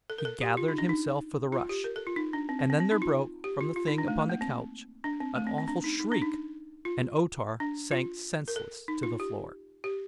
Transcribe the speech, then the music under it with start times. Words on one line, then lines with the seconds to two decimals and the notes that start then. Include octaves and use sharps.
He gathered himself for the rush--and then there broke from the thing upon the couch an awful shriek, and O-Tar sank senseless to the floor.
0.10 A4
0.18 A#4
0.25 A4
0.41 G4
0.57 F4
0.68 D#4
0.78 D4
0.89 D#4
1.52 F4
1.69 G4
1.84 A#4
1.96 A4
2.07 F4
2.16 D#4
2.33 D4
2.49 C4
2.59 C4
2.70 C4
2.80 C4
2.91 D#4
3.02 F4
3.44 G4
3.61 F4
3.76 F4
3.88 D#4
3.98 D4
4.08 A3
4.19 A3
4.30 A#3
4.41 C4
5.04 D4
5.20 C4
5.36 A3
5.47 C4
5.58 C4
5.68 D4
5.84 D#4
6.00 D#4
6.12 D4
6.22 D#4
6.85 F4
7.60 D4
7.91 F4
8.48 A#4
8.56 A4
8.88 D#4
9.03 F4
9.20 G4
9.84 G4